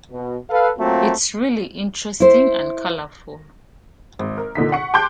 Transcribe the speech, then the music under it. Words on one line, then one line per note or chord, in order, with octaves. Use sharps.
It's really interesting and colorful.
B2
A4 B4 F5
F#3 A3 A#3 C4 F4 F#4
E4 C5
G#1
A#4
A#2 D3 D#4 B6
F#5 C#6 C#7
G5 A5 C6 D6 F#6 G6